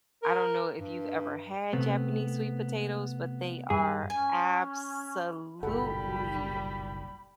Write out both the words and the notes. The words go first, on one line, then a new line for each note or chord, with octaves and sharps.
I don't know if you've ever had Japanese sweet potatoes, but they are absolutely
A#4
G2
C3 A3 B3 C4
G2 G3 G#4
C#4 G#5
F#1 B1 A#2 G3 A4 F#5 B5